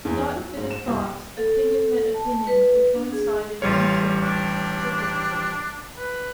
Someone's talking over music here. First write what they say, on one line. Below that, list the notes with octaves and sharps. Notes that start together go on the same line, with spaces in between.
Thought fitted thought; opinion met opinion: we coincided, in short, perfectly.
E2
D#4
F#3
G#2
E7
C2
A4
A5
B4
D4
G#4
A1 G3 F4 C#5
D4
B4